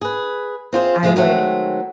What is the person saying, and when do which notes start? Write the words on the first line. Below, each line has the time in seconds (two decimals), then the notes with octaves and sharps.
I would
0.01 G#4 B4
0.73 C4 C#4 F4 G#4 A#4 C5
1.03 C#3 F3 G#3 A3 F4
1.16 D#3 F#3 G#3 A3 C4 C5